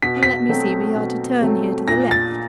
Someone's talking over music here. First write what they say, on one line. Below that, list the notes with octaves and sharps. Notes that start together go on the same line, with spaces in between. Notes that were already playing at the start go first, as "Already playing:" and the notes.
Let me see;--we are to turn here to the left.
B2 B6
B6
F#3 A3 C4
B2
F#3 A3 C4
A#2 A#6
A6